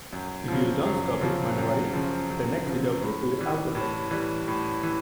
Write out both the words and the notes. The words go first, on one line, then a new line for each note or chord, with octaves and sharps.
If you don't stop it manually, the next video clip will autoplay.
F#2
C#3 F3
F#2
C#3 F3
F#2
C#3 F3
F#2
C#3 F3
A2
E3 G3
A2
E3 G3
A2
E3